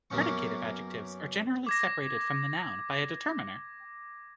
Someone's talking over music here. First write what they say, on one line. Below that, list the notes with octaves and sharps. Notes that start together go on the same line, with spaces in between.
Predicative adjectives are generally separated from the noun by a determiner.
F#2 A#3 B3 C#4 C#6
D6 G#6 A#6